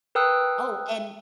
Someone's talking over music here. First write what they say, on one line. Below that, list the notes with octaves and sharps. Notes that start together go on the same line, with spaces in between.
Oh, and
A#4 B4 G5 D#6 E6 F#6